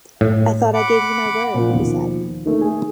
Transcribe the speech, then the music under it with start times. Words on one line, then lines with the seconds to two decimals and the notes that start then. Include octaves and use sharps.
"I thought I gave you my word," he said.
0.21 A2
0.74 F#5 B5 D6
1.54 A#2 F3
1.69 D#2 B2 F3
2.46 D#3 A3
2.61 G#4